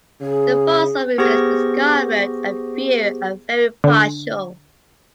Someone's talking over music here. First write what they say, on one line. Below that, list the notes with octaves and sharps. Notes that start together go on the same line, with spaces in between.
The fossil remains discovered are few and very partial.
C#3 G#4
B3 G4 G#4 C5 C#6 A#6
D3